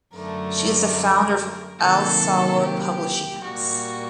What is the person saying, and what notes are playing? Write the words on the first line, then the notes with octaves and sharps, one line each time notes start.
She is the founder of Al Salwa Publishing House.
F#2 D3 A3 A#4
C3 D#3 F#3 A#3 A4
G4
A#2 G3 A#3 F#4